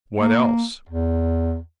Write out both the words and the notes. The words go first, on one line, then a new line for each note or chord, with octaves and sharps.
"What else?"
A#3
E2